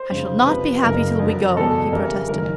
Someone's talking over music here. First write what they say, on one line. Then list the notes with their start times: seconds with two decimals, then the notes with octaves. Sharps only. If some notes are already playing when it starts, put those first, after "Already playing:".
"I shall not be happy till we go!" he protested.
Already playing: C5
0.10 F1 F2 C#3
0.46 F2 C3 F3 B4
0.83 F#1 F#2 C#3 A#4
1.19 F2 D3 F#3
1.56 F#1 E2 B2 A4
1.92 F2 C#3 E3 G3 A#4
2.29 F#1 F#2 D#3 A#4